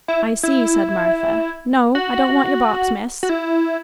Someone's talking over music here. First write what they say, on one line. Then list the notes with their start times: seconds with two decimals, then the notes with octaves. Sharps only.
'I see,' said Martha; 'no, I don't want your box, miss.
0.08 E4
0.43 E4
1.95 F#4
3.23 F#4
3.29 E4